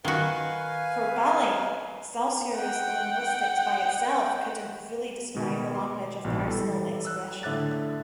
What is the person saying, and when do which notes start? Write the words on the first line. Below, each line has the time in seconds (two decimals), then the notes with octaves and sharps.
For Bally, Saussure's linguistics by itself couldn't fully describe the language of personal expression.
0.04 D#3 F#4 B4 F5 G#5
2.56 F#5 G5
5.35 B2 D#3 G#3
5.74 C6 D6
6.25 A#1 G#2 B2
6.45 E3 G3 A4 B5
7.05 E6 F#6
7.43 A2 D3 E5 D6 F#6 A6